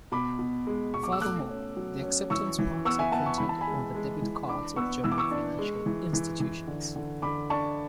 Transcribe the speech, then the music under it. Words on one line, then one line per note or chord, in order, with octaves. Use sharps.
Furthermore, the acceptance marks are printed on the debit cards of German financial institutions.
B2 B5 D6
B2
G#3
B2 C#6
D6
E6
A3 D6 F#6
C#4
F#3
C#4
E3 C#6 E6
E3
B3 C#6 E6
E5 G#5
B3 F#5 A5
C#6
E3 B5
A5
G#5 B5
G#3
G#3
E3
D4 B5 D6
B3 C#6 E6
E3 E6
D6
C#6 E6
D4
G#3
E3
E3
E3
D3
D3
D3 B5 D6
D4 A5 C#6